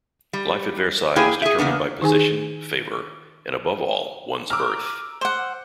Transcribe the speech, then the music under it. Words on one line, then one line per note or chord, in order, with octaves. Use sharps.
Life at Versailles was determined by position, favour, and, above all, one's birth.
G3
A#3 E4 G#4 G5 G#5
G#4 E5
C#3 A#3 B3 D4
D#3 D#4 G#4 G#5
A#5 D6 E6 F6
C5 F#5